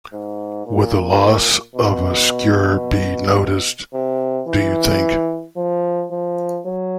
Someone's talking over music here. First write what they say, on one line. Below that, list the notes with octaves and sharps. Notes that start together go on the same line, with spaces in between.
Would the loss of a skewer be noticed, do you think?
G#2
A#2
B2
C3
E3
F3
F3
F#3